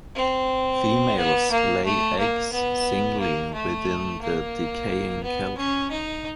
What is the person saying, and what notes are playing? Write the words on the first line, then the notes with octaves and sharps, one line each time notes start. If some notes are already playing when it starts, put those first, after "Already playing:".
Females lay eggs singly within the decaying kelp.
C4
B3
A#3
A3
A#3
B3
A#3
A3
A#3
B3
C#4
D#4